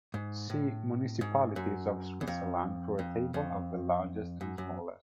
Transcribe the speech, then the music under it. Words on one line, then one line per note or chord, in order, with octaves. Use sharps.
See Municipalities of Switzerland for a table of the largest and smallest.
G#2
A2
G#2
F#2
E2
F2
F2
F2
F#2
F#2